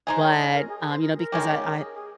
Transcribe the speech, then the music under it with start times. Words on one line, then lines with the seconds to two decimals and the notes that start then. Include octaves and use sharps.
but, um, you know, because I I
0.07 G#3 D#4 G#4 C5
0.22 C#5
0.37 D#5
0.54 A#4
0.69 G#4
0.80 G#4
0.90 C5
1.01 A#4
1.17 A#4
1.32 D#3 G#3 C#4 G4
1.63 A#4
1.78 G#4
1.94 G#4